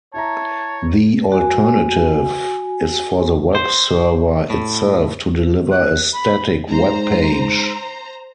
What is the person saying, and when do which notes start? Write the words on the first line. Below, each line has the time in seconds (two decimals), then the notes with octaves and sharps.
The alternative is for the web server itself to deliver a static web page.
0.14 E4 C#5 E5 A5 A#5
1.32 F#4 G#5
3.55 C5
4.50 A2
5.71 F#6
6.13 B5
6.68 G#2 C5 A#5